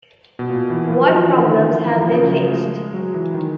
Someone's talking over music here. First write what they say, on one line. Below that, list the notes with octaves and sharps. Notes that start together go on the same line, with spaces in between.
What problems have they faced?
B2
A#2
E3
F3
F#3
F3
E3
D3
D#3
E3
F3
D#3
E3
F3
F3
C#3
F#3
F3
A3
G#3
F#3
E3
D#3